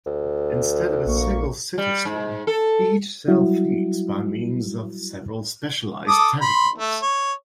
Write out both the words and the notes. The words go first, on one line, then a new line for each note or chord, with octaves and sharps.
Instead of a single cytostome, each cell feeds by means of several specialized tentacles.
D2
A#1 A#3 C#6
G3
G#2
A4
F#3 G3 E4 F#4
A4 D6 D#6
B5 C6
A3
C#5